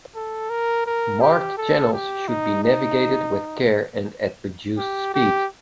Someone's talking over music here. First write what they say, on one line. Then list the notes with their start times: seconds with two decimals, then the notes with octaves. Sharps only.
Marked channels should be navigated with care and at reduced speed.
0.15 A4
0.49 A#4
0.86 A#4
1.21 G4
1.57 A4
1.93 G4
2.28 D#4
2.64 D#4
4.77 G4
5.14 G4